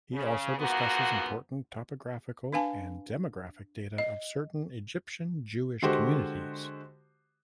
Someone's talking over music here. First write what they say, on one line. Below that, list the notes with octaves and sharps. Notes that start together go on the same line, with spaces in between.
He also discusses important topographical and demographic data of certain Egyptian Jewish communities.
C#3
G#2 F3 A#3 B3 F#4
D4 B4 F5 G#5 A5
D#5
D3 G#3 F#4 G4 C5